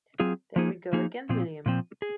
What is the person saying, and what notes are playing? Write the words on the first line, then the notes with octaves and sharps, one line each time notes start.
There we go again, William!
F#3 C4 F4 G#4
F3 A#3 D#4 G#4
F3 A#3 D#4 G#4
A#2 F3 C4
A#2 F3 C4
G#4